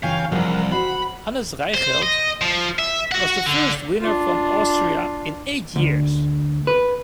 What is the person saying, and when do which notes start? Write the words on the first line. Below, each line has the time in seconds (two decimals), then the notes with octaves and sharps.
Hannes Reichelt was the first winner from Austria in eight years.
0.03 C#3 E3 F4 C#5 F5 G5 G#5
0.32 C2 D#3 F3 F4 G#4 A#4 F5 F#5
0.72 F#4 C5 F#5 B5
1.75 C5
2.03 D#5
2.41 F3
2.79 E5
3.11 F#4 F#5
3.46 D3
4.00 D4 F4
5.76 D2
6.67 B4